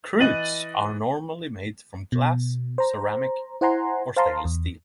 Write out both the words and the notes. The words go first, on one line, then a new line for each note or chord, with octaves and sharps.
Cruets are normally made from glass, ceramic, or stainless steel.
E3 D#5 F#6 A6 D#7 F#7
B2
C5 A#5
E4 C5 F#5 G#5 A#5 C6
C5 F5 A5 A#5 C6
E2